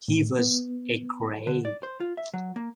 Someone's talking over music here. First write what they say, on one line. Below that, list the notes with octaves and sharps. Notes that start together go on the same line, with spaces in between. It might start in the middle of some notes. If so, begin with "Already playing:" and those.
He was a gray.
A2
B3
D3
D5
C5
F4
E5
F#3
A#3